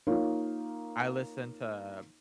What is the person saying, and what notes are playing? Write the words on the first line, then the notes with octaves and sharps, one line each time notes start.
I listen to
A#3 D#4 F4 C#5